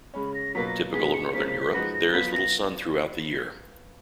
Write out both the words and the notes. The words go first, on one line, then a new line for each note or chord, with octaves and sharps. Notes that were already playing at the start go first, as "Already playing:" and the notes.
Typical of Northern Europe, there is little sun throughout the year.
C#3 G#3 C#4 B5
A#6
B2 F#3 A#3 F4 B4 B6
A#6
A#2 G#3 B3 D#4 G#4 B6
C#7
C#7
C#3 F3 A#3 C#4 B6
B6
B6
F3 G#3 D#4 F#4 B4 A#6
A#6
F#3 B3 F4 B6
A#6